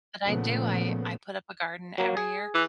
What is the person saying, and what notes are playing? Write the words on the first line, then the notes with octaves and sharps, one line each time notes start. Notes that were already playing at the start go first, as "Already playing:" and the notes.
But I do. I I put up a garden every year,
A#2 C#3 F3 A3 B3
F#3 A#3
G#4
E3